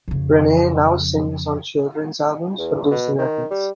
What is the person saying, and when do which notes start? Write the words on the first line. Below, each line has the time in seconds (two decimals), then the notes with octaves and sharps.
Renee now sings on children's albums for Disney Records.
0.08 F2 C#3
2.58 E2
2.91 B2
3.18 D#3
3.51 G3